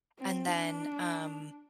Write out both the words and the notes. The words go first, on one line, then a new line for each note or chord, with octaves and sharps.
And then, um,
C4
D4